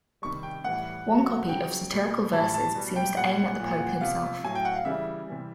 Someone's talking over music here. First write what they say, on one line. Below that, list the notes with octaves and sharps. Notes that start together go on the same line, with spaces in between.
One copy of satirical verses seems to aim at the pope himself.
C3 D#3 G3 C#6
G5
A2 E3 G3 F#5
B2 F#3
C#3 F#3 G5
B2 G3
A2 E3 G3 A5
A5
B2 G3
G5
A#2 G3 F#5
A#2 F3
C3 F3 F5
A2 F#3 G#5
G5
F#5
F5
C#3 E3 G3 E5
C3 E3 G3